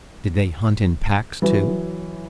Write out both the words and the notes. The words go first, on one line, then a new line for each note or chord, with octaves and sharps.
Did they hunt in packs, too?
E3 F#3